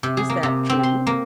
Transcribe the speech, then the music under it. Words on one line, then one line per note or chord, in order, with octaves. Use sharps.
Is that true?
C3
G#4
A#3
C3
C4
C6
A#3